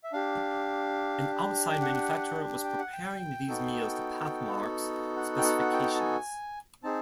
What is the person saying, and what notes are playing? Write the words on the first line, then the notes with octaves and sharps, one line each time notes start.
An outside manufacturer was preparing these meals to Pathmark's specifications.
E5
D4 G4 F5
G5
F#5
G5
F#5
G5
B3 D#4 F#4 A4
F#5
G5
F#5
F#5
G5
A5
G#5
C4 D#4 G#4 A5